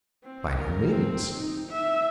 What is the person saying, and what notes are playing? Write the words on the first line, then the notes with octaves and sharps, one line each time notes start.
"By no means."
C4
A#4
C4
D#4
E5